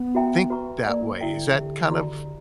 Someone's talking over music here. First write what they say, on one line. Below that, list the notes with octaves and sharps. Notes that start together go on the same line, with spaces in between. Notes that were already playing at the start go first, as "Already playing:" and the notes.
think that way." Is that kind of
Already playing: B3
F#4 A#4 E5 G5 A#5
F#4 B4 E5 A#5 C#6
A#3 A#4 D5 A#5
D3 E4 A#4 E5 G5
E3
D3 G4 A#4 E5
F#4 A#4 D5 A#5